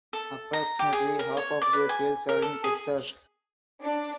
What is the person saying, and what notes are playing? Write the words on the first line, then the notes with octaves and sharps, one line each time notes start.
Approximately half of their sales are in Texas.
A4
A#5
G4
G#4
A#4
C#5
D5
B4
G#5
A#4
A4
G#4
D4